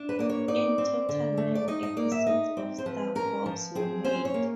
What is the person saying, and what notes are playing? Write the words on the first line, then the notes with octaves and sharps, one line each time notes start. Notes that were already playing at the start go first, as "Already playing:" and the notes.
In total nine episodes of "Star Cops" were made.
Already playing: D4
B4
A#3 D5
C#5
D#4 D5
C4
D3
A3
D5
D#4 D#5
D#5
A#3 D5
E5
D#4 D#5
C4
C5
F3 B4
C#4 A#4
F3
C4 G#4
C#4 C5
C#5
A#3